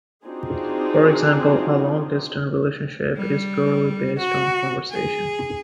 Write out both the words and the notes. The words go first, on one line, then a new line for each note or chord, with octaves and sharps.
For example, a long-distance relationship is purely based on conversation.
C4 D4 D#4 F4 F#4 G#4
G3
F#4
G#4